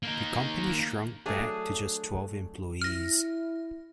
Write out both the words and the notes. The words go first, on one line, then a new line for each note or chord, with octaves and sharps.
The company shrunk back to just twelve employees.
A#3 D#4
F#3 A3 D4 G#4
E4 F6 A#6